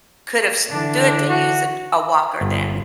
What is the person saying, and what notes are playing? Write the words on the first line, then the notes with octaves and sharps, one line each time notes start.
could have stood to use a a walker then,
D3 E3 D4
F#4
G1